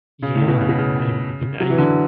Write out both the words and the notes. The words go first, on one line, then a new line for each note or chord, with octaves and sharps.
Yeah, I mean, I
C#3
A2
B2
C#3
B2
C#3
F#3
E3
D3